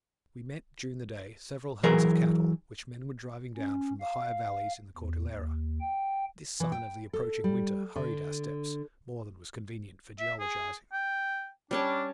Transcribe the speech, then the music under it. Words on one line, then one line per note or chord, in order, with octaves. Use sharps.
We met during the day several herds of cattle, which men were driving down from the higher valleys in the Cordillera. This sign of the approaching winter hurried our steps, more than was convenient for geologizing.
E3 F#3 G#4 A#4
C#4
F5
E2
D#2
G5
E3
G5
A4
G3
D3
E5
G#4
G5
G3 C#4 D4 A5